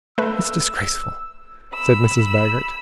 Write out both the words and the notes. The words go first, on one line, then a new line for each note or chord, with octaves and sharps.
"It's disgraceful," said Mrs. Baggert.
A3 B4 E6
B5 E6